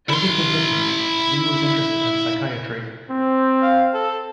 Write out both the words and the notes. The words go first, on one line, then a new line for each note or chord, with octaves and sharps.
As a physician, Li was interested in psychiatry.
E4 C6
C4
F5
A4